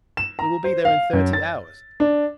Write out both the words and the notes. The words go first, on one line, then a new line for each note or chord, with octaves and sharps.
We will be there in thirty hours.
E7
A#5
C5
F5
F#2
A6
D4